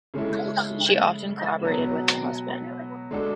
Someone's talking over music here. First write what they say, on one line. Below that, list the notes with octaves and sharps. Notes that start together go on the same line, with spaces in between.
She often collaborated with her husband.
C#3 G#3 C#4 E4 A4
B2 F#3 B3
G#3 D4 F#4 A4